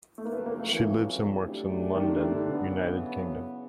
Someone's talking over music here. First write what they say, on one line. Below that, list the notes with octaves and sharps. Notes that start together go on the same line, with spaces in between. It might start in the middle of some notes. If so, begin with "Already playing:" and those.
She lives and works in London, United Kingdom.
A3
A#3
F2 C#3 F#3 B3
A#3
A3
E3
A3 D4 G4
D#3
D3
D3
E2 C#3 F#3 B3